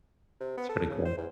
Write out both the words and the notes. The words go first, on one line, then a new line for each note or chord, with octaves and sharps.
It's pretty cool.
C3
B3
A4
C#3
C5
E2